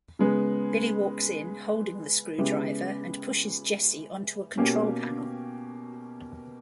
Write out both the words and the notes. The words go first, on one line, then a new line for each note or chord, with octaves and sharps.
Billy walks in, holding the screwdriver, and pushes Jesse onto a control panel.
C#3 G#3 B3
C#3 G#3 B3 E4 G4
B2 A#3 C#4 G4